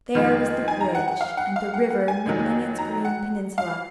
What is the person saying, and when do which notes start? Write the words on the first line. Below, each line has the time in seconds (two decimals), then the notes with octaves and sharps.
There was the bridge, and the river nibbling its green peninsula.
0.15 F2 D#3 G#3 F6
0.68 G#5
0.81 A#5
0.95 F#5
1.08 F#5
1.21 F5
1.37 F#5
1.56 F5
1.74 F#5
1.90 F#5
2.08 G#5
2.26 F2 D#3 F#3
2.79 A#5
3.05 F#5
3.58 F5